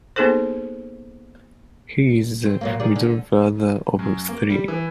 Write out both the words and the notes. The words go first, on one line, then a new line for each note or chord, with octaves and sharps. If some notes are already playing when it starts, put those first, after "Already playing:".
He is the middle brother of three.
A#3 B3 D#4 G#4 A4 C5
C4
A#2 F#3 A#3
D#3 G#4 D5
D3
F#2
A#3
G3
E3